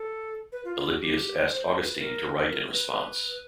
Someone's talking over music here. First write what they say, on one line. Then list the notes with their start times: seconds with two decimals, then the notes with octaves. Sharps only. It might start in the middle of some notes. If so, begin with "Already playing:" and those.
Alypius asked Augustine to write in response.
Already playing: A4
0.52 B4
0.65 F4
0.76 F4
0.88 F#4
1.01 G4
1.51 C5
1.66 C5
1.83 B4
1.99 A#4
2.37 B4
2.48 A#4
2.73 B4